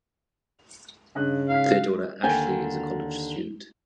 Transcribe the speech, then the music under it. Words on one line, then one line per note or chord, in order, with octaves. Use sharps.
Their daughter Ashley is a college student.
G2 C#3 D#5 F#6
G#2 F5 F6 B6
D#2 D3 G5 G#5